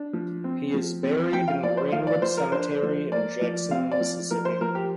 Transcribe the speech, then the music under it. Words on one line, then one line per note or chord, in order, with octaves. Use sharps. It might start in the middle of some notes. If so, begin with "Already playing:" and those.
He is buried in Greenwood Cemetery in Jackson, Mississippi.
Already playing: D4
F3
C4
F3
C4
F3 G5
F5
F3 D5
C5
F3 F5
D5
F3 C5
A#4
D4 C5
F3
A#3 D5
F3
C4 F5
D5
F3
F3 A#4
C5
F3 A#4
G4